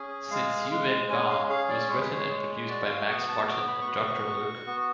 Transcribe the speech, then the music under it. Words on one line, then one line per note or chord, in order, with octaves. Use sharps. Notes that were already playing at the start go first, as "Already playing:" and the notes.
"Since U Been Gone" was written and produced by Max Martin and Doctor Luke.
Already playing: C#4 G#4
G#3 F5
G#3
C#4 G#5
F5
G#4 F5
D5
G#3 C#5
B4
C#5
G#3
F#4 D5
F5
B3 F#5
A5
B3 D6
B5
C#6
F#4 B5
C#6
F#4
B3